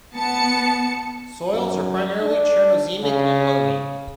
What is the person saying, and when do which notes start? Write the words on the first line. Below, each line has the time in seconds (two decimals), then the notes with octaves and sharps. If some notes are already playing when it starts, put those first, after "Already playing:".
Soils are primarily Chernozemic and loamy.
0.16 B3 A5 C#7
1.52 F#2
2.22 D4
3.03 C#3